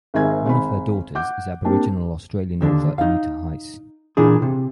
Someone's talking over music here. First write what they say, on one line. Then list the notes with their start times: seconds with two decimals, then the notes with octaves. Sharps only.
One of her daughters is Aboriginal Australian author Anita Heiss.
0.14 G#1 G#2 A#4 E5 G#5 G#6
0.45 G#1 G#5 B5
1.15 F#5 D6 G6
1.64 A#3 C4 D4 G4
2.61 D#2 D3 D4
2.98 D#4 F5
4.17 A#2 E3 D4 G#4
4.42 C3